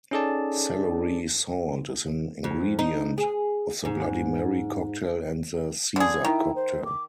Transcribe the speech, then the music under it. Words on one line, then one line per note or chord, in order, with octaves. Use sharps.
Celery salt is an ingredient of the Bloody Mary cocktail and the Caesar cocktail.
C#4 D#4 G#4 A4 D5 A5
F2
D#4
G#4
G#2
D3 G#4 D5
D#3 E4
C5
D6